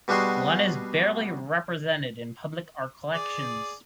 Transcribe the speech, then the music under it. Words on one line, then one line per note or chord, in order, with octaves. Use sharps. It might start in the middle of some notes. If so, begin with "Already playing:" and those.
Lunn is barely represented in public art collections.
B2 G3 D4 F#4 G#4 C6
G#4 D5